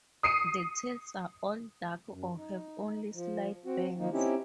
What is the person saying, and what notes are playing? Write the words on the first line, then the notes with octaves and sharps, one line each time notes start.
The tails are all-dark or have only slight bands.
D#6 C7 C#7 D#7
F#2
D#4
F3
C4 F#4
D#3 F3 A#3 D#4
C4 C#4 D#4 E4 G4